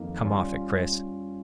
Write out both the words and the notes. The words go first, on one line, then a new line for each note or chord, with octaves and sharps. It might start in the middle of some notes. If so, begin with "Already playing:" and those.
"Come off it, Chris!"
Already playing: F2 D#3 A#3 D#4
G3 C#4 F4